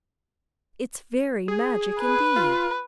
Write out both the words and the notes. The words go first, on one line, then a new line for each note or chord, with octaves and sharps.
It's very magic indeed.
G#4
B4
F4